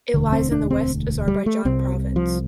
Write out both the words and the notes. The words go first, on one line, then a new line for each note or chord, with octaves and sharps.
It lies in the West Azarbaijan province.
E1 D2 D3
C4
D4
C4
G3
A3
C2 C3 C4
F3